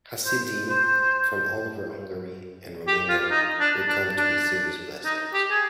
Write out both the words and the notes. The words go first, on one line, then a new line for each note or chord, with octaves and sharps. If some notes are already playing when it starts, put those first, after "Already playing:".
Hasidim from all over Hungary and Romania would come to receive his blessings.
C5
C5
G4
F4
D#4
D4
D4
D4
D#4
G4
G#4